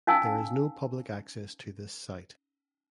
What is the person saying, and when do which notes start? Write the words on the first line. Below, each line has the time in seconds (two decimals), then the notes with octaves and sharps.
There is no public access to this site.
0.07 C#4 D#4 F5 G#5 A5 E6